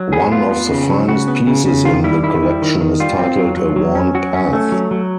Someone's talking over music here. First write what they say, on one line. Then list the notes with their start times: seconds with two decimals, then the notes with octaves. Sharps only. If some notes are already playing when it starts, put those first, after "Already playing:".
One of the finest pieces in the collection is titled A Worn Path.
Already playing: F#3
0.13 B3 G#4
0.32 B3 F4
0.51 B3
0.71 C#3
0.89 F#3
1.08 C#3 F#4
1.28 B3
1.47 C#3
1.65 C#3
1.85 D#3 F4
2.04 G3 E4
2.23 D#3 E4
2.42 G3
2.62 D#3
2.81 D#3
3.00 G3 F4
3.18 C4
3.38 F#3
3.57 F#3
3.76 F#3
3.95 C#4
4.15 F#3 F#4
4.34 C#4
4.53 A3
4.72 F#3
4.91 F#3